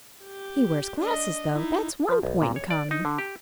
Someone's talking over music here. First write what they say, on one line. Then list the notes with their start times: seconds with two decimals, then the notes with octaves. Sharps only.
He wears glasses, though; that's one point in common.
0.24 G4
1.00 D4 D#5
1.53 D#4 E4
2.09 F3
2.23 B1
2.42 A#2
2.56 C#5
2.70 D5
2.91 D#4
3.05 D3
3.19 G4